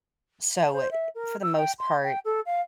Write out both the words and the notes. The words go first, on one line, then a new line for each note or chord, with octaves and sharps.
So, for the most part,
A5
C5
E5
A#4
E6
G5
C6
G5
A4
F5